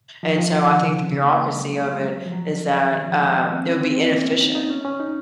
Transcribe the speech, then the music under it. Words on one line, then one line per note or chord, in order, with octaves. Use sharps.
and so I think the bureaucracy of it is that, um, it would be inefficient,
F3
F3
F3
D#3
C#3
C3
C#3
A#3
A#3
G#3
F#3
G#3
G#3
F#3
F3
F#3
D#3
F3
G#3
C4
C#4
C4
C4
A#3
C#4
D#4
D#4
C#4
C#4
D#4